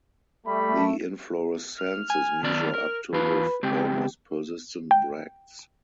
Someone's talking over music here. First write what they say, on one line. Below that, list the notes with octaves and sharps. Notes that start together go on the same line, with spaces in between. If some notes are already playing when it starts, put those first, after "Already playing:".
The inflorescences measure up to with almost persistent bracts.
G3 A3 B5
F6
G#5
D#3 B3 D5
A#4
E2 F4 B4
C#3 G#3 C4 G4
G5